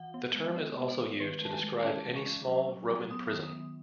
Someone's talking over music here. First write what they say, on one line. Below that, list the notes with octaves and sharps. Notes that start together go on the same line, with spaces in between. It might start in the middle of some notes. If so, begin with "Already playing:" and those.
The term is also used to describe any small Roman prison.
Already playing: E3 F#5
B3
G#3
B3 D#5
B3
C#5
E3
D#3 B4
G#3 A5
G#5
G#3
C#4 A5
E3
C#6
C#4
F#3
F#3
F#3
B3 D#6
D#3
D#6
D#3